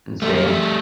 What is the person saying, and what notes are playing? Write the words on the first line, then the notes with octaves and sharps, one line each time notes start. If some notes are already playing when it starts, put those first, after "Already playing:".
And same.
G3 A3
A#3
A3